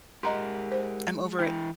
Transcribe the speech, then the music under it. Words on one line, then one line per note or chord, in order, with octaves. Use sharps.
I'm over it.
G#3 G4 A#4 D#5 F#5 A#5 C6
C5
E3 E4 G5